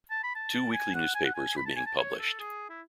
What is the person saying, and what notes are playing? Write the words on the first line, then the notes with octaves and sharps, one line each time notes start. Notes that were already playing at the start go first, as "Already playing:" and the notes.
Two weekly newspapers were being published.
A5
B5
A5
G#5
F#5
G#5
F#5
G#5
B5
A5
G#5
A5
C#5
A4
G#4
E4